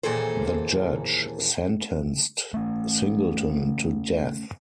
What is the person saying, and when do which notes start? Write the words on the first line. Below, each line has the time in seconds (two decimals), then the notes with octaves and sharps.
The judge sentenced Singleton to death.
0.03 D#2 A#2 E3 G#4 A4 C5
2.54 A3 C#4